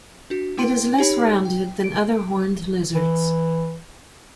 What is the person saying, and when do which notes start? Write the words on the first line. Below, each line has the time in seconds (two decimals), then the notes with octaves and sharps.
It is less rounded than other horned lizards.
0.30 D4 F#4
0.57 A3 E4 G5 C6 D7
0.98 D#4 G4 C#5 B5
1.45 G5
1.84 D7
2.95 E3